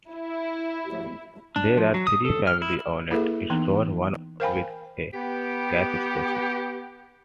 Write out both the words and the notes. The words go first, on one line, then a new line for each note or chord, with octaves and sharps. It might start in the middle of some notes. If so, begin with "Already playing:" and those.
There are three family owned stores, one with a gas station.
E4
D4
F3
F#3
D#6
A4
F6
E4
A#3 E4 G#4 A4 B4 E5
E3 B3 D#4
A#4 C5 F5 G5 G#5 B5
B3 G4